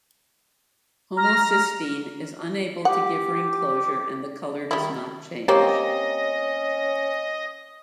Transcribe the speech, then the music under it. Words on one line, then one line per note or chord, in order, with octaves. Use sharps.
Homocysteine is unable to give ring closure and the color does not change.
A#5 F6 A#6
G4 F#5
D#3 G3 E4
A#3 C4 C#4 G4 C#5 D#5